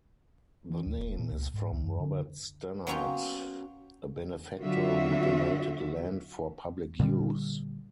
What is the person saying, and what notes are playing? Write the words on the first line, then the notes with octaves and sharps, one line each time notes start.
The name is from Robert Stanard, a benefactor who donated land for public use.
E3
D2
E1
A#2
C#2
G#2
C#2
F#2
D3
F#3 A#3 B3 C#4 F4 G4
D3 F#3 C4 F4 F#4 E5
A#2 D3 G3